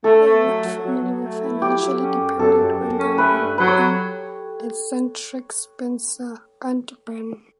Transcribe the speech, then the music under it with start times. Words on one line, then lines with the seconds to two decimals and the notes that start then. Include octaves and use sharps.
The Wood family were financially dependent on their wealthy, eccentric spinster Aunt Ben.
0.04 A3 A4
0.24 A3
0.44 F#3
0.63 F#3
0.83 F#3
1.03 F#3
1.22 A3
1.41 E4
1.61 F#3 G4
1.81 F#3
2.00 C#4
2.20 F#2
2.39 F#2 A4
2.59 F#2
2.79 F#2
2.98 C#4
3.18 A3 B4
3.38 G2
3.57 F#3 B4
3.67 C#5